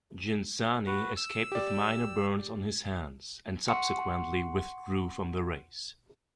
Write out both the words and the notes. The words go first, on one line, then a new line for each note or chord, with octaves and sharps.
Ghinzani escaped with minor burns on his hands, and subsequently withdrew from the race.
F#4 B4
E6
G4 D5
F#5 C6 C#6 C#7